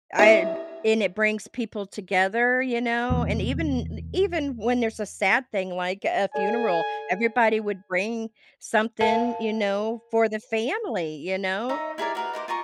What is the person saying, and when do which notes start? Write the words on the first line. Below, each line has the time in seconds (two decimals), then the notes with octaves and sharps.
I b and it brings people together, you know, and even i even when there's a sad thing like a funeral, everybody would bring something, you know, for the family, you know,
0.19 E4 D#5 E5
3.10 E2 C3 A#3
6.34 A4 D5 G#5
9.01 A#4 F5 A5
11.69 D#4 C#5 D#5 E5
11.98 E4 G#4 A#4 D5
12.15 F#4 A#4 B4
12.33 D#4 A#4 C5 D6
12.48 F4 G#5 A#5 C#6